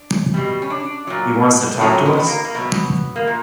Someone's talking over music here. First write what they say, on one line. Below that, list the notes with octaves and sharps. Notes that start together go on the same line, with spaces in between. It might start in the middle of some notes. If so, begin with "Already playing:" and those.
He wants to talk to us?
Already playing: D4
B2 G3
C#4
D4
A#2 F#3
A#2 F#3 C#4
C#4
B3
B3
A#3
A#3
B2 F#3 B3
A#3
A#2